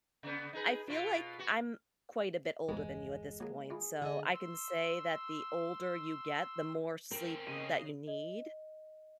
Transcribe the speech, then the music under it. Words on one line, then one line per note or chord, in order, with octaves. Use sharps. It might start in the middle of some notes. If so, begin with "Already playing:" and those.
I feel like I'm quite a bit older than you at this point, so I can say that the older you get, the more sleep that you need,
C#3 B3
D#4 G#4 B4
B2 F4
B3 F#4
G1 E2 G#2 B2 G#3
F#3 A#3 G#4
E4 F4 G#4
D3 G#4 A4 D#5
C6 E6
C4 C#4 A#4
C#3 D#5 C7 D#7
D#5